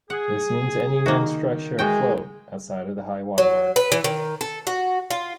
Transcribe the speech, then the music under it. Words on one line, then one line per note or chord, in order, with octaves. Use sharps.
This means any manned structure afloat outside of the high-water mark.
G#4 F#5
D#3 A#3 F#4
E3 G#3 F#4 G5
F#3
B4
E3
D#3
A4
F#4
F4